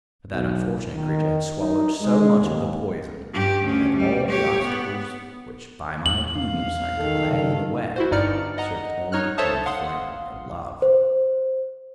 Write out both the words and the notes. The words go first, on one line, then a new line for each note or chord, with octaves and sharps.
But that unfortunate creature had swallowed so much of the poison, that all the obstacles which by my prudence I could lay in the way served only to inflame her love.
B1
D#3
D#4
G#3
D#2
G2 G4
D2 C#4
G3
G4 C#5
B3
E2 F#7
F5
D#3 A4
C#3
E4 F#4 C5
G1 G2 D#4 D5 F6 C#7
D#5 F#5 A#5
D#4 C#5 F6 F#6
A4 C5 C#5 E5 A5 D#6
F5 F#5 C6 D#6
C5